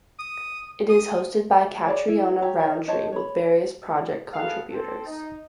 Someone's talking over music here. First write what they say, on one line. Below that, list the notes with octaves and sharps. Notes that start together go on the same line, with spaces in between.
It is hosted by Catriona Rowntree with various project contributors.
D#6
D#6
G#4 C#5 D5
E4
G4 C#5 A#5
C#5 E5
C5 C#5 D#5 A5
C#5 B5
B3 G#4 A4 F5 F#5
C4 A4
D#4